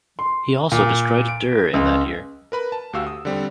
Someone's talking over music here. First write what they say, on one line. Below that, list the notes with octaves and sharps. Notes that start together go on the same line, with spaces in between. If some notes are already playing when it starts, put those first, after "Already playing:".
He also destroyed Der in that year.
C6
A#2
D7
C#2
A#4 B4 B5
A5
D2 F#4 G4 F5 E6
D#6
D3 G3 C4